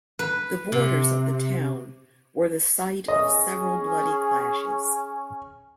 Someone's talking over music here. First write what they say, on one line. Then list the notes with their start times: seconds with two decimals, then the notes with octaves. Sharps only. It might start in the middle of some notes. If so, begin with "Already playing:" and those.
The borders of the town were the site of several bloody clashes.
0.19 B4
0.72 C3
3.08 C#4 G#4 D#5